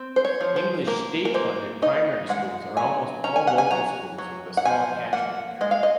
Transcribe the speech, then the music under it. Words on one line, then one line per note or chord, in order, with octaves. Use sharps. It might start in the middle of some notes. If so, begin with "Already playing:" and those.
English state-funded primary schools are almost all local schools with a small catchment area.
Already playing: C4
C5
C#5
F3
C5
A#3 A#4
A#4
A#3 C5
D#4 D#5
G#3 F#5
F#3 G#5
C#4 A#5
G#5
F#5
G#5
F#3 A#5
F#3
F#5
F3 G#5
A#3 F#5
G#3 D#5
F5
D#5